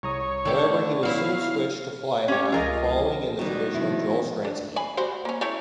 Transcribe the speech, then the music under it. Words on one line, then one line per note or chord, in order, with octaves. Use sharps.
However, he was soon switched to fly-half, following in the tradition of Joel Stransky.
C2 C#5 A#5 D#6
D3 D#3 A3 G4 A4
F#3 B3 E4 F5
C#4 G4 C#5
C#2 F3 F4 G#4 A#4 D#5
B2 D#3 G3
C3 F3 E4
D4
G#4 G#5 B5
G3 F#4 C5
A#3 C#4
A3 E4 C#5